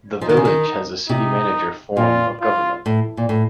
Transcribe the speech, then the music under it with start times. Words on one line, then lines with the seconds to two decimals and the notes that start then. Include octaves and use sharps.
The Village has a City Manager form of government.
0.21 F3 D#4
0.29 D#3
0.37 C#3
0.45 D#3
1.09 C3 D#4
1.97 A#2 F4
2.41 F4
2.86 A2
3.17 A#2
3.29 A2